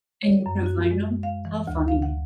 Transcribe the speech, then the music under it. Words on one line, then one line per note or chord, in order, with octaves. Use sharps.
And you couldn't find ‘em? How funny.
C#5
F#2
F#4
G#3
F5
E3
D2
F5
F#5